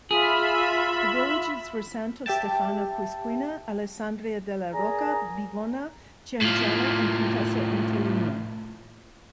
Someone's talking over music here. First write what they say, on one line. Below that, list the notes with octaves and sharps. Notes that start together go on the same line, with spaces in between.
The villages were Santo Stefano Quisquina, Alessandria della Rocca, Bivona, Cianciana, and Contessa Entellina.
F4 G#4 E5 B5
G4 E5 G5 A5
D4 G#4 A#4 A#5
A2 F3